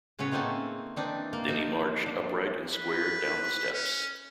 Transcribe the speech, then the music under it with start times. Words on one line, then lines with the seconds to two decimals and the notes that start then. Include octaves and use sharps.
Then he marched, upright and square, down the steps.
0.19 A2 C#3 B3 B4 C#5
0.32 A3 A#3 C4 D#4 G#5 A5
0.96 E3 C4 D4 D#4
1.33 A#3
1.48 F3 D#4
2.06 D4
2.74 B4
3.73 C#4